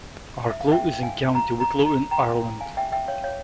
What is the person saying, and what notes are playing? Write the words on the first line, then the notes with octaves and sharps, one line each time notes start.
Arklow is in County Wicklow in Ireland.
E5
F5
E5 G5
F5 G#5
A#5
A#5
A#5
G5 A#5
F5 G#5
E5 G5
E5 G5
C#5 F5
C#5 F5